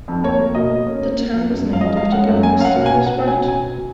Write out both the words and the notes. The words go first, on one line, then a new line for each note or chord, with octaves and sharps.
The town was named after governor Silas Wright.
F2
A#3 C#5
A#3
B2 D#5
A#3
C#4
A#3
A#3
F3
F#2
F#2
F5
F3 D#5
G#3 F5
C#4 F#5
F#2
C#4 G#5
C#4 F5
F#5
B2
G#5
B2
B2 F#5
C#4
G#5
B2
G#5
B2